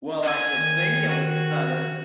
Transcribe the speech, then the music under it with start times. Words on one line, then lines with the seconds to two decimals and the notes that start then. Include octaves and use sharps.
Well I should think it was sudden!
0.23 G#5
0.55 D#3
1.09 F#4